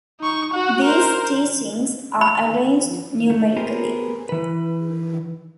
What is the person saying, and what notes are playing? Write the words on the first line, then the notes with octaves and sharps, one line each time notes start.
These teachings are arranged numerically.
D#4 C#6
F#4 F#5
A#4 C5
B5
A3
B3 G4 G#4 A#4 C5
E3 B4